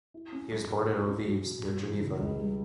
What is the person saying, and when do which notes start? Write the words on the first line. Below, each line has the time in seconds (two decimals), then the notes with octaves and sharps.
He was born in Eaux-Vives near Geneva.
0.14 E4
0.32 C#4
0.52 F#3
0.70 B2
0.88 E4
1.07 C#4
1.27 F#3
1.46 B2
1.64 G3
1.82 E3
2.02 C#3
2.20 C#2
2.39 G3